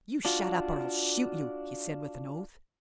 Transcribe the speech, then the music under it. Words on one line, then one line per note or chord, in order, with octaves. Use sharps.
"You shut up or I'll shoot you!" he said with an oath.
D4 F4 F#4